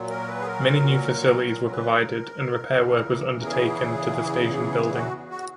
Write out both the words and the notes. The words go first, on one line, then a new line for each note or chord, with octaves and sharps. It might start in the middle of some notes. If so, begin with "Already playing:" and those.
Many new facilities were provided, and repair work was undertaken to the station building.
Already playing: A#2 F#3
A#4
B4
G#4
A#4
A#4
A#4
A#4
B4
A#4
E2 C#3 E3
G#4
F#4
F#4